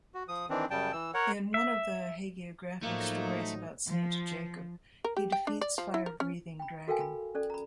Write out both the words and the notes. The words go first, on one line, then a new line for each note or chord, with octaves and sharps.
In one of the hagiographic stories about Saint Jacob he defeats fire-breathing dragon.
F#4
F3 D#6
D#3 E3 C4 D4
F#2 C#3 G3 G5 A5
E3 E6
A#4 C#5 F#5
E5
A2 F3 F#3 A3 A#3 D#4
F3
A#4
G4
G5
D4
D5
F3
E4
A#4
C#4
G5 B5
F#4 A4 A#4 F5 G5 G#5
B5
C#4 A4 D5
A#5 B5